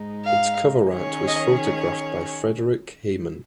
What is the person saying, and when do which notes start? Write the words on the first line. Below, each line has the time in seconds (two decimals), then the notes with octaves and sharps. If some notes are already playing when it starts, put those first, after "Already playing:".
Its cover art was photographed by Frederik Heyman.
Already playing: G#2 G#3 D#4
0.24 F5
0.93 D#3 C#4 G#4 C#5
1.27 D#5